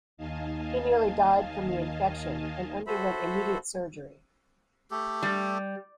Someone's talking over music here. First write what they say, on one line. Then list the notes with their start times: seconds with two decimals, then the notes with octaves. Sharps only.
He nearly died from the infection, and underwent immediate surgery.
0.17 D#2 D#3 D#5 F5 G#5 A5
2.87 F#4 A4 C5 E5 B5
4.91 A3 G4 A4
5.23 G3